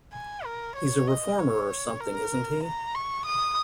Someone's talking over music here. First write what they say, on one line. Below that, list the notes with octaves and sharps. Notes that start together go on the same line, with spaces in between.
He's a reformer or something, isn't he?
G#5
A#4
C#5
D#5
C#5
A#4
A#5
C#6
D#6